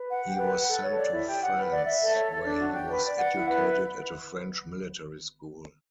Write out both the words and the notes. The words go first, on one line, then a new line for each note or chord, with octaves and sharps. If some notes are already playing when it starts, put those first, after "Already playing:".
He was sent to France where he was educated at a French military school.
Already playing: B4
F#5
G4
B4
F#5
A4
C#5
D5
E4
G4
F#5
B4
D5
E5
A4
C#5
A4
D4
F#4
G5
B4
D5
F#5
E4
B4